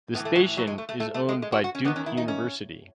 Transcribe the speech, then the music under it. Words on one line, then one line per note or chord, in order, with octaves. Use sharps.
The station is owned by Duke University.
A2 E3 B3
A3
F#3
F#3
G#3
A3
A3
A3
A3
G#3
G#3
F#4
F#4
C#4
E2 D#3 B3
C#4
E4
D#4
C#4